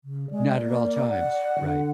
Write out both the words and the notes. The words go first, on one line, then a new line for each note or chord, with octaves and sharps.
Not at all times, right.
C#3
G#3 D5
A#3
F#5
D3